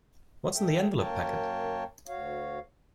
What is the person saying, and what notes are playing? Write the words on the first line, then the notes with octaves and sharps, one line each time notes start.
What's in the envelope packet?
A4 E5 G5
F#2 A#3 A#4 C#5 G5 A5
D2 F#4 C#5 F5